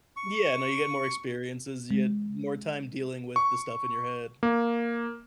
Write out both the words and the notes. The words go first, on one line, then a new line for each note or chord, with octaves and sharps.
Yeah, no, you get more experiences, you get more time dealing with the stuff in your head.
C#6
G#3
C#6
A#3